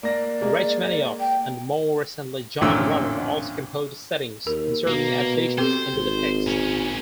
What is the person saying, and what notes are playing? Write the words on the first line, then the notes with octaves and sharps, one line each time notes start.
Rachmaninoff and, more recently, John Rutter also composed settings, inserting additions into the text.
A#3 D5 A#6
G#3 A#3
G5
A1 F2 A#2 D3 E6
D#2 A#4
B2 A#3
C4 G4 A4 C5
G#1
A#2 C#4